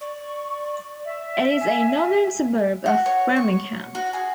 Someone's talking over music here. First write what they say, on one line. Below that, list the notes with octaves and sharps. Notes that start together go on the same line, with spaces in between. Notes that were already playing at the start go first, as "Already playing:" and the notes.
It is a northern suburb of Birmingham.
D5 C#6
E5
G#5
F#4
C#5
C#6
F#4
G#4